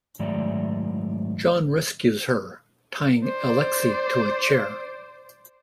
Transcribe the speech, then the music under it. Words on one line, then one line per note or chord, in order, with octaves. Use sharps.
John rescues her, tying Alexei to a chair.
G#2 D#3 F#3 A3 D5
C5 D5